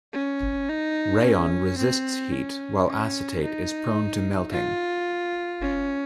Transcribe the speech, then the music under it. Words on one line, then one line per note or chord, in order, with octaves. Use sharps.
Rayon resists heat while acetate is prone to melting.
C#4
D#4
C#4
C4
C#4
C#4
D#4
F4
C#4